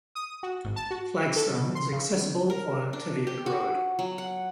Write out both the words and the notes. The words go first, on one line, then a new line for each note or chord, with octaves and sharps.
Flagstone is accessible via Teviot Road.
D#6
F#4
G#1
A5
F#4
A4
B2
C6
C#3
A#4
D4
G4
F#4
F#3
F#5